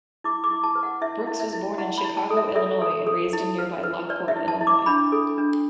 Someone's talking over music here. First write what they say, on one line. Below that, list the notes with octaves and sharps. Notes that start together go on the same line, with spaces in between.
Brooks was born in Chicago, Illinois, and raised in nearby Lockport, Illinois.
E4 D6
D6
E4
A5
B4
F#5
E4 E5
E4
E5
E4
E4 F#5
B5
E4
A5
A4
E5
A4 E5
A4
A4
E4
B4
B4
B4 D5
E5
E4
A5
E4
D6
D4 B5
A4
D4